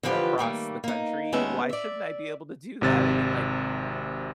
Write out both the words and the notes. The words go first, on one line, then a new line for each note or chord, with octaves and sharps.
across the country. Why shouldn't I be able to do that? I mean, like,
D3 E3 F3 F4 G4 B4
D#3 G3 A3 A#3
A#3 D#4
D#2 G#3 A3 B3 C#4 E5
D5 E5
G#1 C3 A6